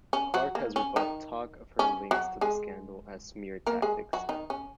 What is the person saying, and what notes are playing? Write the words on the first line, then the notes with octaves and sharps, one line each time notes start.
Clark has rebuffed talk of her links to the scandal as "smear tactics".
C#4
F#3 F#4
A#3
C#4
D#3 D#4
C#4
F#3 F#4
G#3 G#4
A#3 A#4
G#3 G#4
F#3 F#4
D#3 D#4
C#4